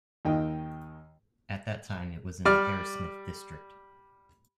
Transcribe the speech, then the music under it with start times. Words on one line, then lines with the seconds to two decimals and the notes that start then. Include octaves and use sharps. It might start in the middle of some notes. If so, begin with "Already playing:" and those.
At that time it was in the Harrismith district.
0.25 D#2 D#3 D#5 G5
2.45 G3 D5 F6